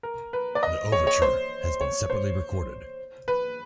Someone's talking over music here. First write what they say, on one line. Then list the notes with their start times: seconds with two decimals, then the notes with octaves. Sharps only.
The overture has been separately recorded.
0.03 A#4
0.33 B4
0.55 D5
0.63 D#5
0.92 C#5
1.07 C#5
1.22 C5
1.81 C#5
2.10 C5
3.28 B4